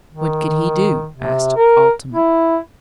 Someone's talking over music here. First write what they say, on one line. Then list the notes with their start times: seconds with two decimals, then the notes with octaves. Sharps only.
"What could he do?" asked Altamont.
0.11 D#3
1.16 C3
1.56 A#4
2.14 E4